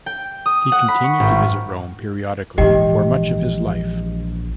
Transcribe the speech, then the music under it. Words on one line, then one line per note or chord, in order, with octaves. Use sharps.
He continued to visit Rome periodically for much of his life.
G5
D#6
F#5
B5
C#6
G#1
A#1 G#2 E3 G4 D#5 G5